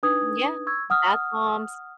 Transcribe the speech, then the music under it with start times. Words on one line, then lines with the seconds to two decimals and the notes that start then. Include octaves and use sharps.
Yeah, bath bombs
0.03 D4 D#4 B4 D#6 G#6
0.67 C#6 E6 G#6
0.90 F#5 D#6 F6